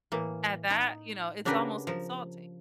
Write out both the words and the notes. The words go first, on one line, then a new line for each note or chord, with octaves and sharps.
at that, you know, it's almost insulting.
A2 E3 A#3
D#4
C#3 D4 F#4 G4 A#4 B4
F3 A#4